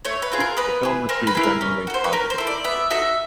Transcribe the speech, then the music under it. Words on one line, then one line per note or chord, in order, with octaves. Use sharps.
The film received generally positive reviews.
A3 C#5
B4
C4 F4 G#4
A#4
B3 B4
E4 G#4
C4 A#4
B4
E4 G#4
A#4
C#4
F#4 A4
C5
B4
C#4 A#4
C5
E4 A4
D5
B3 E5
D#4 F#4 A4 E5